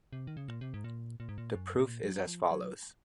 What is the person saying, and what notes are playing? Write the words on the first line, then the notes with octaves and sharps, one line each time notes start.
The proof is as follows.
C3
D#3
C#3
A#2
C3
G#2
A#2
A#2
G#2
A#2
F#2
A#2
F#3
F3
F#3